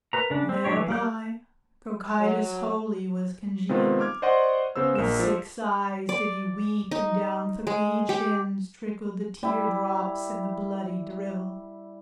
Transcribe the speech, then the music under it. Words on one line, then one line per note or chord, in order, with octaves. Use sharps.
Thereby Cocytus wholly was congealed. With six eyes did he weep, and down three chins Trickled the tear-drops and the bloody drivel.
A#4 B4 A#5
C#3 D4
C4
F#3 D4 G4 C#5
E3
G3 A#4 D6 G6
F#3
C3 D#3 B3 C4 F4
D6 F6 G#6
C5 D5 D#5 F#5 C6 C#6
C#3 B3 C5 E6
A#1 A#4 E7
F3
D5
D#4
G#3
G4
G3 E4